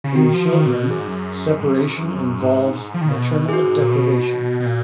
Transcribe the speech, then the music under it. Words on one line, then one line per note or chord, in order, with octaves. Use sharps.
In children, separation involves maternal deprivation.
C#3
D#3 F#4
F3
D#3
A#2
B2
F#2 G#4
G#2
F#2
G#2
F#2
G#2
F3
D#3
C#3
B2
F#2 F#4 G#4
G#2
A#2
B2
B2
A#2